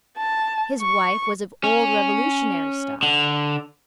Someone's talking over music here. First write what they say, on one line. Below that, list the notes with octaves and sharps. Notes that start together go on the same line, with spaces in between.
His wife was of old Revolutionary stock.
A5
C#6
C#4
D3